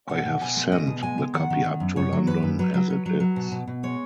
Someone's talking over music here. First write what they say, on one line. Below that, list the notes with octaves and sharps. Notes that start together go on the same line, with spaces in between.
I have sent the copy up to London as it is.
B2 F#5
B2
B2 G#5
G#3
G#3 D#5
B2
G#3 G#5
G#3
D#3 F#5
D#3
D#3
F#2
F#2 C#5
F#3
F#2 B4
F#2
F#3 B4
F#3
F#3
F#3
F#3
B2
B2
B2
G#3 C#5